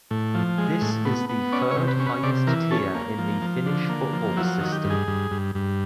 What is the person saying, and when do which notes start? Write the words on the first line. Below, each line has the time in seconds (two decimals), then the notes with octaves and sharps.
This is the third highest tier in the Finnish football system.
0.11 A2
0.34 F3
0.58 G#3
0.82 A2
1.05 B3
1.29 B3
1.52 C#4 D5
1.71 C#5
1.76 C3
1.88 B4
2.00 C#4
2.06 B4
2.23 C3 D5
2.47 E3 A#4
2.71 C#4 A4
2.95 A#3
3.18 F3
3.42 F3
3.66 D3
3.89 A#3
4.13 F3
4.37 F#3 E4
4.60 D#3
4.72 G4
4.84 G2
4.90 G#4
5.08 G2
5.31 G2
5.55 G2